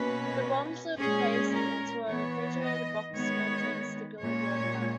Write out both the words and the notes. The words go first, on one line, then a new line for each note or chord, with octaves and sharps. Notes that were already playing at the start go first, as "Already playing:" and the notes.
The bombs were placed into a refrigerated box to maintain stability overnight.
Already playing: B2 A#3 C#4 B4
A#2 G#3 C#4 G#4
A#4
E3 B3 C#5
D#5
D#3 G#3 B3 C#5
A#2 G#3 C#4 C#5